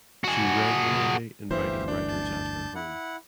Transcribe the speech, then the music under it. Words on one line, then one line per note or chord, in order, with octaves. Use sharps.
She regularly invited writers at her home.
F#4 G#4
G1 D2 E3 G4 C5 E5 F5
D4 G6
A5 G6
E4 F#5